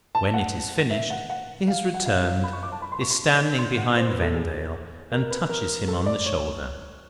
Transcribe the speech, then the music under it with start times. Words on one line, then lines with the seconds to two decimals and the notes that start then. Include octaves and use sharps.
When it is finished, he has returned, is standing behind Vendale, and touches him on the shoulder.
0.15 A5
0.34 F#5
0.90 E5
1.10 F#5
1.30 F#5
1.68 F5
1.94 F#5
2.06 F5
2.25 F5
2.44 B5
2.53 C#6
2.63 D6
2.72 A5
2.82 B5
2.92 C6
3.01 C#6
3.11 C6
3.58 C6
3.77 F#5
3.97 C5
4.09 B4
4.22 A4
4.35 G#4
5.12 A#4
5.31 B4
5.49 A#4
5.88 A4
6.06 D5
6.26 C#5